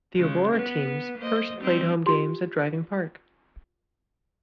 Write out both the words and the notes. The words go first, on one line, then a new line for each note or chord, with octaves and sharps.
The Aurora teams first played home games at Driving Park.
C#3 G#3
B3 B4
A#3 C5 D#5
G3 C4 D#4
F4 G4 C6